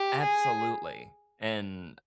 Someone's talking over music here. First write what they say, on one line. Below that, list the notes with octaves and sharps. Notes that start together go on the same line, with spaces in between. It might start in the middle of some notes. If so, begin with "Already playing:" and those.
absolutely, and
Already playing: G4
G#4